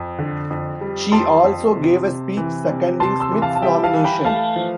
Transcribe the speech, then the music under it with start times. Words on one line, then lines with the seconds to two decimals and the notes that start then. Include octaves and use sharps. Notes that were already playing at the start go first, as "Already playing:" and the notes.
She also gave a speech seconding Smith's nomination.
Already playing: F2
0.19 D3
0.50 F2
0.81 G3
1.12 F2 A5 C6
1.44 F2
1.75 C3
2.06 C3
2.37 E3
2.69 C3
3.00 C3 A5 C6
3.20 C6 E6
3.32 E3
3.42 F5 A5
3.56 A5
3.62 G3 E5 G5
3.84 F5 A5
3.94 E3
4.04 G5 B5
4.25 A3 F5 A5
4.56 F3